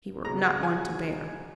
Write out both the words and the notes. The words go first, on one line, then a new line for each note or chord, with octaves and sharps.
He were not one to bear.'
C#2 B2 G#3 A#5
F#5
G#5